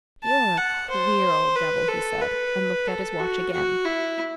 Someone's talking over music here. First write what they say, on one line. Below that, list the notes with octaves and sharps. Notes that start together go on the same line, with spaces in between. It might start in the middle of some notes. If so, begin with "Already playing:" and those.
"You're a queer old devil," he said, and looked at his watch again.
A5
F#5
C5
B4
A4
B4
A4
F#4
F#4
E4